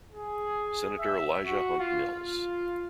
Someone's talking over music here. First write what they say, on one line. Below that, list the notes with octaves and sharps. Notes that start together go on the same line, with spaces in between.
Senator Elijah Hunt Mills.
G#4
E5
F#4
F4
F4